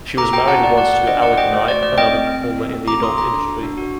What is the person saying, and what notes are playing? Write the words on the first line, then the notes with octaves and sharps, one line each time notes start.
She was married once to Alec Knight, another performer in the adult industry.
A4 A#5 D6
F#4 G5 A#5
F#4 F#5 A5
A3 D5 F#5
A4 D5 F#5
F#4 D5 F#5
D4 C5 D#5
A4 D5 F#5
F#4 D#5 G5
A3 C5
F#4 D5
A3 D5
C4 D#5 G5
C4
C4
C4
A4
C4
F#4 A#5 D6
A4 C6 D#6
A4 A#5 D6
D4
F#4
D4
F#4